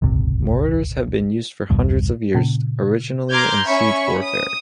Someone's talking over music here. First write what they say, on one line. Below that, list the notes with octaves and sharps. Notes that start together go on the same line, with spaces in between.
Mortars have been used for hundreds of years, originally in siege warfare.
D#1 G#1 C#2 C3
E1 C2 G2 B2
A#2 C#3
A#5 C6 D6 F6 G6 G#6
C#4 E5 B5 C#6
D#6